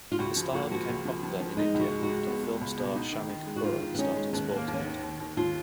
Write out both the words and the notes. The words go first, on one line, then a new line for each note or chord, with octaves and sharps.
The style became popular in India after film star Shammi Kapoor started sporting it.
F4
C#2 F#4
F3
A#3 F#4
F3 F#4
C#2
F3
F3
F3
G#3 D#4
C#2
F#4
G#3
F#4
G#3
B3
G#3
C#2
B2
D#4
D#3
D#3
G#3
F#4
D#3 F4
D#3
B3
C#4 D#4
G#3
D#2 B3
D#2 A#3
D#2
C#4
B3
D#3
D#2
D#2
D#2 F4